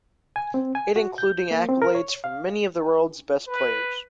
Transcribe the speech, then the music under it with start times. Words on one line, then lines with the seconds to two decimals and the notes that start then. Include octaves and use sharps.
It including accolades from many of the world's best players.
0.36 G#5
0.54 C4
0.75 G#5
0.96 F#4
1.18 G6
1.51 A#3
1.69 C4
1.82 A#4
1.95 C#5
2.24 F5
3.48 B4